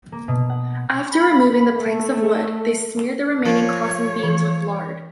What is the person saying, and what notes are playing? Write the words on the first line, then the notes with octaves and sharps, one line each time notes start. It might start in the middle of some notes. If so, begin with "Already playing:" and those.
After removing the planks of wood, they smeared the remaining crossing beams with lard.
A#3
B2
F#5
B5
A3
F3 A#4 C#5
E3